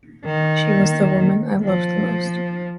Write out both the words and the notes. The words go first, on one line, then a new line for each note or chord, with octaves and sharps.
She was the woman I loved the most.
D#3
F3